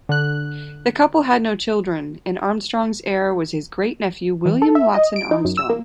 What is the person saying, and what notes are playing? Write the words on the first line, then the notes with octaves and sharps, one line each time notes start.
The couple had no children, and Armstrong's heir was his great-nephew William Watson-Armstrong.
D3 F#6
E3
A4
E5
D#5
D7
D#4
F#2
E6
A#3